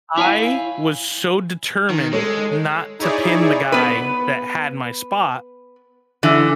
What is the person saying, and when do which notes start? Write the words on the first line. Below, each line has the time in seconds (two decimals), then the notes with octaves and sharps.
I was so determined not to pin the guy that had my spot,
0.18 E4 C#5 F5 G#5
1.90 D#3
2.13 G#3 A4 C#5
2.99 D#4 E4 G#4 C#5 D5
3.72 B3 B4
6.23 D3 E3